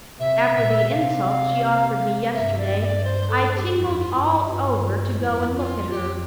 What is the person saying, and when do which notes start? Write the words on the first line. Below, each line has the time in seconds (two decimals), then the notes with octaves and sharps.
After the insult she offered me yesterday, I tingled all over to go and look at her.
0.19 C3 E5
0.56 A#2
0.91 C3 F5
2.33 G2 E5
2.58 D5
2.81 E5
2.85 D5
3.04 C5
3.28 A4
3.52 A4
3.57 G4
3.76 F2 F4
3.80 E4
4.00 F4
4.12 G2
4.24 E4
4.47 G2 G4
4.52 F4
5.19 F2 E4
5.55 F4
5.90 F2 G4